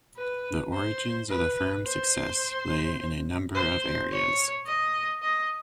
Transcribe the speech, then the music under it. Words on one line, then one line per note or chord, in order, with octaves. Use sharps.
The origins of the firm's success lay in a number of areas.
B4
C5
B4
C5
C5
C#5
D#5
D#5